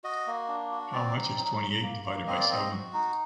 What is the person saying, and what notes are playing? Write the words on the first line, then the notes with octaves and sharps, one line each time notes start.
How much is twenty-eight divided by seven?
F#4 D#5
A#3
D4
F#4
C4 D5
D#4
F#3
F#3
A#3
A#3
C4 D#5
D5
C4 D#5
F#4
D#4